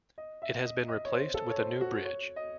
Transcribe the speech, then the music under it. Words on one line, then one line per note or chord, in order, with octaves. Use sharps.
It has been replaced with a new bridge.
D#5
E5
D#5
D#5
C#5
C5
A4
C#5
C5
F#4
C#5
D#5